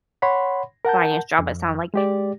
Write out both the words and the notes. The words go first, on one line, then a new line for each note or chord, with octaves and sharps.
finance job, it sounded like,
C#5 F#5 B5 C6
A#4 F#5 A5 G6
F2
G#3 G4 D5